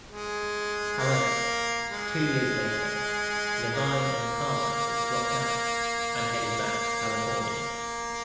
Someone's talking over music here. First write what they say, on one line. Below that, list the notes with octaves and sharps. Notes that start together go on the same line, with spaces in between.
However, two years later, Levine and Carmichael dropped out and headed back to California.
G#3
A#3
G#3
A#3
A#3